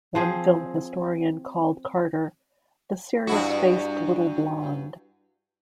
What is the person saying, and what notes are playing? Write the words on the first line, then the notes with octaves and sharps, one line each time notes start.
One film historian called Carter "the serious faced little blonde".
F3 C4 G#4
G2 E4 F#4